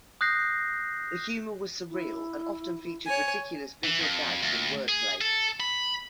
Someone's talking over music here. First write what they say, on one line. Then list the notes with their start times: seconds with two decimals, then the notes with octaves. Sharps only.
The humour was surreal and often featured ridiculous visual gags and wordplay.
0.21 D#6 F#6 G6 A#6 C7
1.90 E4
3.06 C#5 G#5
3.85 E3
4.00 F2
4.42 D2
4.89 G#4
5.21 A4
5.60 B5